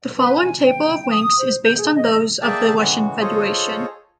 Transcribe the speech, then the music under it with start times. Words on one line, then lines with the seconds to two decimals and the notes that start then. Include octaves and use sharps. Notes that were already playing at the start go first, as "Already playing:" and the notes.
The following table of Ranks is based on those of the Russian Federation.
0.17 B4
0.35 G#5
0.65 G5
1.09 D#6
1.37 C5
1.64 G6
1.77 G#4
1.95 D#5
2.42 A#3 G#4 D5 E5 G5 A5
2.78 A2 C#3 E3 G#3 F#4
3.21 F4 G#4 A4 C5 C#5 D#5